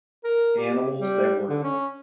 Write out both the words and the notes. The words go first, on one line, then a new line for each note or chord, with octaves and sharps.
animals that were
A#4
G4
G3
D3
C#4